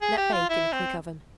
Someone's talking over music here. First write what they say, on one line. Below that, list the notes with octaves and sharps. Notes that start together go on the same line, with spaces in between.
Let bake in a quick oven.
G#4
G4
F4
E4
C4